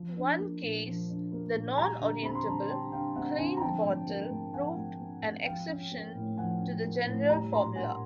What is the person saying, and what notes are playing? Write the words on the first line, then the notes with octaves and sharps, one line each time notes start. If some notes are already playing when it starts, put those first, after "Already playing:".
One case, the non-orientable Klein bottle, proved an exception to the general formula.
Already playing: F3
D4
A#3
A#2
F3
D4
A#3
A#2
G3 G#5 A#5
D3
C4 B5
C6
D3 A5 B5
G3 G5 A5
D3 F5 G5
C4 E5 F#5
D3 F#5 G#5
A#5
F3 G5 A5
G#2
A#3
G#2
F3 F#5 G#5
G#2
A#3
G#2
F3 F5 G5
C#4
A#3
A2
F3 F#5 G#5
C#4
A#3
A2
G3 G#5 A#5
A#2 A#5 C6
A#3 F#5 G#5